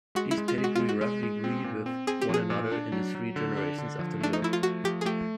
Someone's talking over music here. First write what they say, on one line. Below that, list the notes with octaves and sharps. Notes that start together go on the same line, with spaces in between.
These pedigree roughly agree with one another in the three generations after Leod.
G#3 F#4
E4
G#3
F4
G#3
F#4
G#3 F4
F#4
G#3
G#3
C4
A#2
C4
C4 G#4
G4
F3 G#4
A#2
D4
F#3
F#3
D3
D4
D3
F3
A3 D4
D#4
F3 E4
F4
A3 F#4
F3 G4
G#4
A3 G4